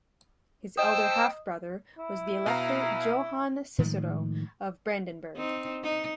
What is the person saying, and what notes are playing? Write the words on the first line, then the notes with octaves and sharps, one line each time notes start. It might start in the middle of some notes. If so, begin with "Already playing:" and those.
His elder half-brother was the Elector Johann Cicero of Brandenburg.
C5 D#5 G5 A5 D#6 E6
E4
B2 F5 A#5
A2 D#3 F3 G#3
C4 D#4
D#4